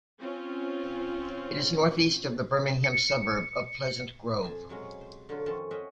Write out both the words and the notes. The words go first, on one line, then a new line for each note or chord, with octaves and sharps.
It is northeast of the Birmingham suburb of Pleasant Grove.
C4 C#4 F4
C#7
F2 C5 G#5 A5
C3 F#3 G#3 C#4
C5
D3 F#3 F4
F2 D#3 C4 C#4 C#5 A5
C#4 D#5 E5 F#5 G5